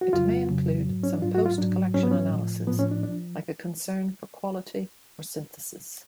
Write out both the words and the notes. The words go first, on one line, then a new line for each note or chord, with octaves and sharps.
It may include some post-collection analysis like a concern for quality or synthesis.
F#4
F2 C#3 F#3 F4
F2 C#3 F#3
G#2 F#3
C#4
D4
G#2 F#3 F4
F#4
F4
G#2 F#3 D4
G#2 F#3 C#4
B3
C#4
A2 F3
A2 F3 B3
C#4
D4
D4
F3